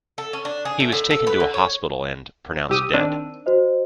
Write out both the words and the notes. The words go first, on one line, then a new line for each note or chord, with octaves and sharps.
He was taken to a hospital and pronounced dead.
A4
C#4
D4
G#4
A3
A2
A4
B4
D3
C#5
C2 G4 D#6 E6 D#7
D#3 C4 D4
F#4 C5 D#5